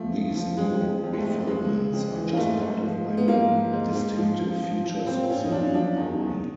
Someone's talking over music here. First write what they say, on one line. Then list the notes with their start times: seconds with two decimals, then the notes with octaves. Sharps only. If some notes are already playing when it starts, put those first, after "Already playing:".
These new refinements are just part of many distinctive features of the New Pony.
Already playing: F3 A3
0.13 C#3
0.35 F3
0.57 F2 G#3
0.80 F2
1.03 F2
1.13 G#3
1.18 A3
1.25 F2
1.47 C#3 G#3
1.69 C#3
1.93 F2
2.15 E3
2.33 A#3
2.37 G#2 A3
2.61 G#2
2.82 F3
3.05 G#2
3.17 B3
3.28 G#2 A#3
3.50 F3
3.73 G#2
3.95 G#2
4.17 F3
4.40 F3
4.63 F3
4.84 F3
5.06 A#2 C4
5.29 A#2 C#4
5.44 D#4
5.52 A#2 D4
5.65 C#4
5.74 F3 D4
5.96 E2 D#4
6.20 E2